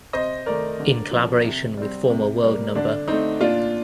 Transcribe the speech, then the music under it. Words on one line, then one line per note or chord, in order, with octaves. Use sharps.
In collaboration with former world no.
C3 C5 D#5
D#3 A3 A#4 D5
D3
F3 C4
C3
G3 C4
C3
G3 A#3
D3 D4
A3 C4 D#4
A#2 D4 F4